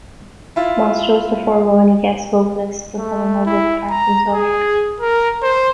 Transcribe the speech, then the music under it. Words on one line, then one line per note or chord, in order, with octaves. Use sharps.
Moss chose to forgo any guest vocalists, performing all vocal parts himself.
E4 F4
A3
E4
A#5
G#4
A#4
C5